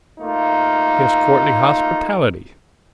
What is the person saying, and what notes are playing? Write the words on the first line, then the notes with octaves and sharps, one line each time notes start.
His courtly hospitality?
A3 A#3 D#4 F4